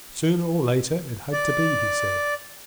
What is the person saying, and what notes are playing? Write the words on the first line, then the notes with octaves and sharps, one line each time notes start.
"Sooner or later it had to be," he said.
D5